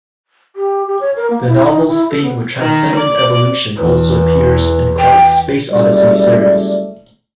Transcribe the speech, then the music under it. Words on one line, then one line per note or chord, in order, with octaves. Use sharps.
The novel's theme of transcendent evolution also appears in Clarke's "Space Odyssey" series.
G4
G4
C#5
A#4
A#3
E4
D#4
E4
A4
B3
D#3
D5
E2 E3
G5
F#1 G3 A3 D5